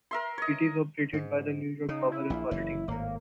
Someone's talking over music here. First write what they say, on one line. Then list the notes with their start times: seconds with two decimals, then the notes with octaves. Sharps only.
It is operated by the New York Power Authority.
0.11 A#4 E5 C6
0.38 C#5 D#5
1.13 G#2
1.89 C#3 D#4
2.12 E4
2.30 A#1 A#2
2.51 F#1 E3
2.88 G#1 A2 A#3